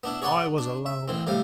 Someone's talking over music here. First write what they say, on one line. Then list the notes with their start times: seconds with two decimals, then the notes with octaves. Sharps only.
I was alone.
0.04 B3 D4 E4
0.22 G#4 C#5 D5 F#5 C6
0.58 D4
0.86 E5
1.08 A1 E3 C4
1.27 A2 C3 G3 F5